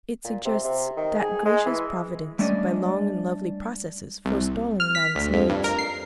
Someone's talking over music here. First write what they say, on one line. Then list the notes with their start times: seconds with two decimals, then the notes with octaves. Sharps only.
It suggests that gracious Providence, by long and lovely processes, forestalling man's needs.
0.25 A#2
0.45 C3
0.64 C3
0.96 D#3
1.19 G#4
1.45 G#3
1.66 E3
2.39 G3 A3 C#4 D4 D5 D#5
4.25 C2
4.80 F6
4.95 B6
5.15 D2
5.33 F2
5.50 G2
5.64 A#4
5.79 C7